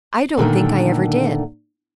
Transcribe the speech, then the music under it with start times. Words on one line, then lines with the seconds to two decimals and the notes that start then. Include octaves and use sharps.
"I don't think I ever did."
0.37 A#2 D3 D#3 A3